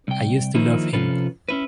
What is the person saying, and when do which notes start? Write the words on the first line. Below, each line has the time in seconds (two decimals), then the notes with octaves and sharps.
I used to love him.
0.08 C2 G5
0.55 D#3 F3 A#3 D#4 E4
0.93 C3 F3 C#4 F4 A4 B4
1.49 C#4 E4 B4